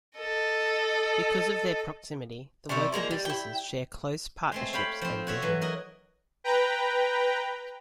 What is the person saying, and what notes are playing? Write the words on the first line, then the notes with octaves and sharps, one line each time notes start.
Because of their proximity, the local businesses share close partnerships and vision.
A4 D#5
C3 G3 C#4 E4
F3 G#3 A#3 A#4
G3
E4 G5
G#3 A3 C4
C#5 F5 G5 B5
F3 C4
F#4 C#5 E5
E3 F#3
F#4 A#4 D#5
B4 G5 A#5